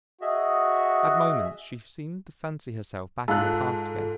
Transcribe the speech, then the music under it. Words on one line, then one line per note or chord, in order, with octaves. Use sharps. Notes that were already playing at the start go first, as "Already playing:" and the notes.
At moments she seemed to fancy herself back in the past again.
F#4 G#4 D#5 E5
G#2 F4 A4 F#6